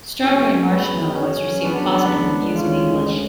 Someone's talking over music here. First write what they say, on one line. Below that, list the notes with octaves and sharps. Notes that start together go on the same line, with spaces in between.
"Strawberry Marshmallow" has received positive reviews in English.
F#2 C#3 F#3 C#4
B3
C#4
B3 D4
D2 C#3 G#3
C#4 F4